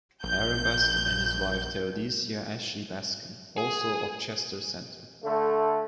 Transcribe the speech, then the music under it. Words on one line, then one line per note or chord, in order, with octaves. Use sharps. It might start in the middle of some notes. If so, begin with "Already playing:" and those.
Aaron Bascom and his wife Theodosia Ashley Bascom, also of Chester Center.
A#1 G6
G#4
D3 A3